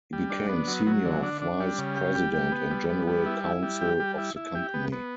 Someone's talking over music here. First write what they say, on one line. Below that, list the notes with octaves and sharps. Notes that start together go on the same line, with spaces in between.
He became senior vice president and general counsel of the company.
G3
D4
B3
F#3
F#3
D3
D4
D4
G3
C#3
G4
G3
G4
B3
G3
B3
G3
E4
E4
G3
G4
G3
E4
E4
G4
B3
B3